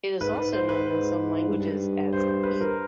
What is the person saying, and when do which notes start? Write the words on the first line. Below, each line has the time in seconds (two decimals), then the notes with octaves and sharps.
It is also known in some languages as He.
0.21 G#2 B4
0.36 B4
0.52 C5
0.69 B4
1.48 G2
2.13 C5
2.28 C5
2.43 B4
2.60 A#4